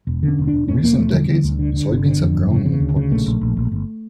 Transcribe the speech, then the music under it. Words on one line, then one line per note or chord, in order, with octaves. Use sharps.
In recent decades soybeans have grown in importance.
E1
D3
C#4
E1
D4
E1
E1 C#4
E1 A#3
E1 A3
D3 G3
D3
D2
D3
D3
G1
D3
F2
G1
C#3
C#3
D2
C#3
A#1 A3
A#1
A#1
A#1
G1